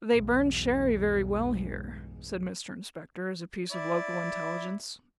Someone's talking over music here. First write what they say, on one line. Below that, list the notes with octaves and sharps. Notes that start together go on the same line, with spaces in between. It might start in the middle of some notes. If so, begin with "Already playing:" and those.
'They burn sherry very well here,' said Mr Inspector, as a piece of local intelligence.
B1 E2 G2 G#3
E4 D5